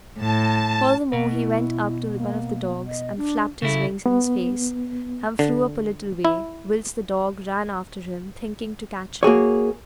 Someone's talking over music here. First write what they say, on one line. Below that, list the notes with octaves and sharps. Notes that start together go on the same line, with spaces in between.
Furthermore he went up to one of the dogs and flapped his wings in his face and flew up a little way, whilst the dog ran after him thinking to catch him.
A2 A5
B2
E4
A#3
D#5
D4
C#3 E4 A4
B3
D3
E4
A#3 F#4 G#4 C#5